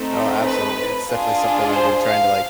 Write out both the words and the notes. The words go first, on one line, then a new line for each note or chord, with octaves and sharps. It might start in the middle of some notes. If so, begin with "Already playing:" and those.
No, absolutely, it's definitely something I've been trying to, like,
Already playing: A3 C4 D#4
B4
D4 F4 G#4
C5
F5